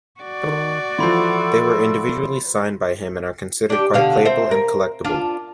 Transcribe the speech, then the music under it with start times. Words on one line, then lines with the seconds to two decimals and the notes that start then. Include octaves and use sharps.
They were individually signed by him and are considered quite playable and collectable.
0.21 F#4 D5
0.99 E3 F3 A4 B5 C6
3.70 D4 G4
3.94 B2 D3 F5
4.25 C4 C5 E5
4.51 A#4
5.04 D4 F4